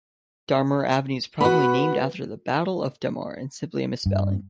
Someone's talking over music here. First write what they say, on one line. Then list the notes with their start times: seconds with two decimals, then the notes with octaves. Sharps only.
Darmour Avenue is probably named after the Battle of Damour and simply a misspelling.
1.41 B3 F#4 B5
4.06 G2